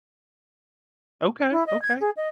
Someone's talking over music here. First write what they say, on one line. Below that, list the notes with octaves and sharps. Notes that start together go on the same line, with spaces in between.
Okay, okay.
E4
D#5
G#6
G#4
D#5